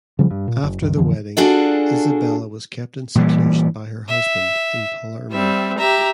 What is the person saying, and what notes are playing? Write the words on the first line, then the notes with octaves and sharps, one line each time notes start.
After the wedding, Isabella was kept in seclusion by her husband, in Palermo.
C#3 F3 G3
G2
A#2
F#1
C#2 G2 D#3
F2 D3 E3 F3
D4 F4 F#4 G#4 A4 D5
A#2 E3 G3
E5
G3 C4 E5
G4 E5 A#5